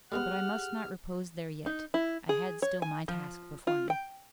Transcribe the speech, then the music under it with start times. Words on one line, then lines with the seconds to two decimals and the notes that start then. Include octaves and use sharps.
But I must not repose there yet; I had still my task before me.
0.12 G3 G#3 B3 G4 G#4 F#5 F6
1.66 D#4
1.94 E4
2.29 G#4
2.62 C#5
2.82 G#5
3.08 F3
3.67 F4
3.90 G5